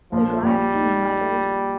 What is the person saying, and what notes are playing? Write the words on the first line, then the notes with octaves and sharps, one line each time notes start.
"The glass," he muttered.
A#1 F3
A#1 G3
D#4